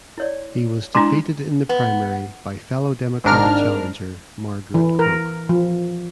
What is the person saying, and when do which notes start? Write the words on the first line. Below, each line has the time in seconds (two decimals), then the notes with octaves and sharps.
He was defeated in the primary by fellow Democratic challenger Margaret Croke.
0.18 E4 C#5 D5
0.95 G#3 D4 E4 A5 A#5 C6
1.69 B3
3.24 G#1 G#2 D4 A#4 F6
4.74 E3
4.99 A#4
5.49 F3